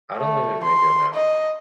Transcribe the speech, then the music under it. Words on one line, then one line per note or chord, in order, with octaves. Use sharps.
I don’t live in Maigo now.
A3
C6
D#5